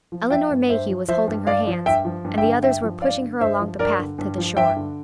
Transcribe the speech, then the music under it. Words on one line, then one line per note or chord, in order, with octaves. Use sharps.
Elinor Mayhew was holding her hands, and the others were pushing her along the path to the shore.
F3
F3 E5 G5
G2
G2 C5 E5
F3
F3 C5 E5
G2
G2 D5 F5
F3
G2 E5 G5
F3
G2
E5 G5
D3
G2 E5 G5
F3
G2 D5 F5
D3
G2 C5 E5
F3
G2 A#4 D5
D3
G2
F3
G2 E5 G5
D3